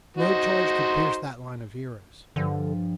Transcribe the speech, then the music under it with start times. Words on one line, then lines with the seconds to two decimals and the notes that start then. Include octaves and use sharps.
No charge could pierce that line of heroes.
0.17 D#4 F#4 C5
2.36 G2 D3 F3